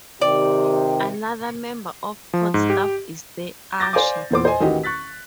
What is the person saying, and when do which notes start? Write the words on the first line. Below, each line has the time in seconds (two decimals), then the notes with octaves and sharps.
Another member of court staff is the usher.
0.21 C3 D#3 G4 D5
2.34 F3
2.54 G#2
2.70 G4
3.80 D6 G6 A6 A#6
3.93 C5 D5 F5 G#5 D6
4.30 E2 A#2 C5 D6
4.45 C5 D#5 G#5
4.61 A1 D#3 F#4 G4 D#5
4.83 C#6 F#6 A6 B6